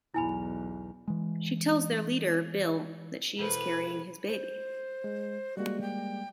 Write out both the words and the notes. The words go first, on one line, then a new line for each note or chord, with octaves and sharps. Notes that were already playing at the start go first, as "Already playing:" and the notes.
She tells their leader, Bill, that she is carrying his baby.
B1 E2 E4 G#5 B5
E3 G#3
E1 A4 B4 C5
C5
G#3
G3 G#3 A#3 F#4
G5